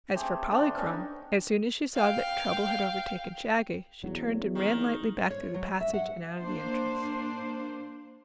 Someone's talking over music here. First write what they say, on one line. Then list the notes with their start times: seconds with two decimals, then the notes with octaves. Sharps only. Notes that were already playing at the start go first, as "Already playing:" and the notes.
As for Polychrome, as soon as she saw that trouble had overtaken Shaggy she turned and ran lightly back through the passage and out of the entrance.
0.14 A3 C4 G4 G#4
0.51 D3 A3 C4 D4
0.76 B3 C#4 D#4
1.96 F5 G5
4.04 E2 F#3
4.55 D#3
5.18 C5
5.30 C#5
5.54 F#3
5.81 E5
5.94 F#5
6.41 A#3 D4 C5